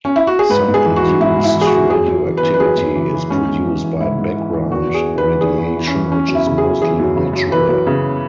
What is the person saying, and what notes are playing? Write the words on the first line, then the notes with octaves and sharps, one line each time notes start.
Some induced radioactivity is produced by background radiation, which is mostly natural.
C#4
E4
F#4
G#4
G#2 B4
G#2
G#4
E3
F#4
E3
G#2 E4
G#2
E4
E3
G#4
F#4
E3
F#2 G#4
F#2
E3
B4
E3
B4
F#2 G#4
F#2
E3
E3
G#2 C#4
G#2
E3
E3
G#2 E4
G#2
E3
E3
E2 F#4
E2
G#4
E3
B4
E3
E2 G#4
E2
E3
C#4
E3
E3 C#4
F#2
E4
C#3
G#4
F#2
E3 G#4
F#2
C#3
F#2
E3 B4
F#2
C#3